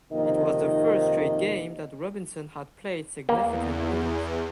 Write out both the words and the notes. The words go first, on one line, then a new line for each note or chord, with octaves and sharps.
It was the third straight game that Robinson had played significant minutes.
F2 C3 D#3 A#3 D#4 D#5
E2 A#3